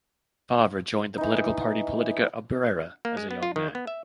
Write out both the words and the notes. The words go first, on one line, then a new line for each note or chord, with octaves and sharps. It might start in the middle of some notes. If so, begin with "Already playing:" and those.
Favre joined the political party Politica Obrera as a young man.
E3 D#4
A#3
G#3
B3
F4
D#3
B3
E5